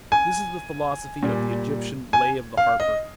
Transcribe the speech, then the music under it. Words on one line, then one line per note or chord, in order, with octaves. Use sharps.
This is the philosophy of the Egyptian "Lay of the Harper".
G#5
A#2 G3
G#5
F5
D#5